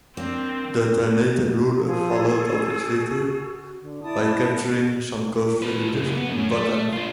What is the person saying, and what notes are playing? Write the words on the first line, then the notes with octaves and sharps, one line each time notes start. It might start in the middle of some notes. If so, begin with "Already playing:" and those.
The Ternatan ruler followed up his victory by capturing some coast villages in Bacan.
A#3 C4 D4
F3 G#4 A4
F#4
D3
E4 D5 A5 D#6
A4 B4
C#3 A#3
B3
F#2
A3
D4 F4